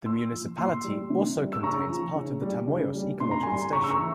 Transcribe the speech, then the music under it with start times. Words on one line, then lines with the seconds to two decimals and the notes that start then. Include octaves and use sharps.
The municipality also contains part of the Tamoios Ecological Station.
0.06 A#2 C6 E6
0.32 F3
0.58 A#2 C6 E6
0.84 G3
1.10 C3
1.38 G3
1.53 E6
1.63 C#3 A#5 C#6
1.89 F3
2.15 C#3
2.42 G3
2.67 C#3
2.95 G3
3.20 C3 C6
3.31 A#5
3.43 G3 G#5 C6
3.72 C#3 A#5 C#6
3.84 E6
3.90 A#5 C#6
3.98 E3